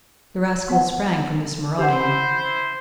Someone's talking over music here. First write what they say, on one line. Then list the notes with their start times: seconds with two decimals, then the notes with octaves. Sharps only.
The rascal sprang from this marauding.
0.69 B3 F#5
1.78 E4 G4 C5 F#5